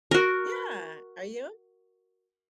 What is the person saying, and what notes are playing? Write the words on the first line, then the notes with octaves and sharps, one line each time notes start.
Yeah, are you?
F#4 A#4